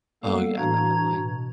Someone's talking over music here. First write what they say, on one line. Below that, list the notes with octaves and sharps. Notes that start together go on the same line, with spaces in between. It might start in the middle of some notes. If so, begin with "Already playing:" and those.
Oh, yeah, definitely.
G3 A#3 B3 A4 F5
A2 E3 D4 F#4 A#5 G#6
B2